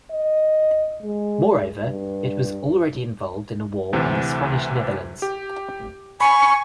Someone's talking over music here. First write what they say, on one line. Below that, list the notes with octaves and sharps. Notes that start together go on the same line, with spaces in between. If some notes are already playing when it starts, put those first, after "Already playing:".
Moreover, it was already involved in a war in the Spanish Netherlands.
D#5
G#3
G2
D2 C3 E3
G4
G#5 B5 C#6